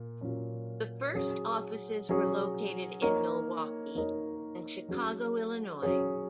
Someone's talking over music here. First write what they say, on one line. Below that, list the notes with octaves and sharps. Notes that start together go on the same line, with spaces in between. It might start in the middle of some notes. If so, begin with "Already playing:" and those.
The first offices were located in Milwaukee and Chicago, Illinois.
Already playing: A#2
A#2 F#3 C#4
F#3 C#4 G#4 C#5
F#3 C#4 G#4 C#5
A#3 D#4 A#4 C#5
A#3 D#4 A#4 C#5
F#3 C#4 G#4 C#5
F#3 C#4 G#4 C#5